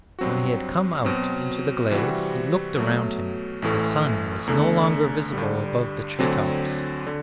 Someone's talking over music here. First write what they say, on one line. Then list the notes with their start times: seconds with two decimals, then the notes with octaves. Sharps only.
When he had come out into the glade he looked around him; the sun was no longer visible above the tree-tops.
0.19 G2 F#3 C4 F#4
1.04 B2 F#3 C4
1.90 C3 E3 G3 C4 F#4
2.76 B2 F#3 A3
3.62 A1 A2 E3 A3
4.47 E2 D3 A3
5.33 G2 D3 G3
6.19 D2 D3 F#3 C4
7.07 D3